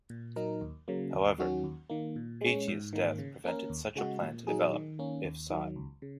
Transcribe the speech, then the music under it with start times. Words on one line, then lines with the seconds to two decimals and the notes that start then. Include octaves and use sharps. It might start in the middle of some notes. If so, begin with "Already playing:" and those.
However, Aetius' death prevented such a plan to develop, if sought.
0.10 A#2
0.36 F#3 D#4 A#4
0.61 D#2
0.88 C#3 F#3 A#3
1.13 D#2
1.38 D#3 F#3 C#4 F#4
1.64 D#2
1.90 D#3 A#3
2.16 A#2
2.41 G#3 C#4
2.68 G#2
2.93 D#3 A#3
3.18 C#3
3.44 A#3 C#4 A#4
3.70 D#2
3.95 C#3 G#3 F#4
4.22 A#2
4.47 F#3 D#4 G#4
4.73 D#3
4.99 A#3 C#4
5.25 D#2
5.50 D#3 F#3
5.76 C#2
6.02 C#3